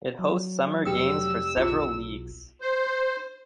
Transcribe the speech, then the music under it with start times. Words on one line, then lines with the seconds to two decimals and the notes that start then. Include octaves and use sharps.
It hosts summer games for several leagues.
0.19 F#3
0.85 F1 G4 B4 G5 D#6 E6
1.57 B1 E4 F4 G#4
2.61 C5